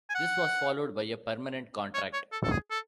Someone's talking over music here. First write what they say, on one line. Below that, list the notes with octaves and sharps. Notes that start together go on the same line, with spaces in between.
This was followed by a permanent contract.
G#5
F#5
C#5
C#5
A4
A4
G#4
A4